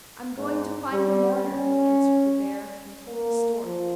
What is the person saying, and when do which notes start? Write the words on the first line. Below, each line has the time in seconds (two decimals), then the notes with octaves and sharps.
'I am going to find a mourner,' answered the bear, and told his story.
0.37 G#2
0.92 G3
1.46 C#4
3.10 A#3
3.65 F3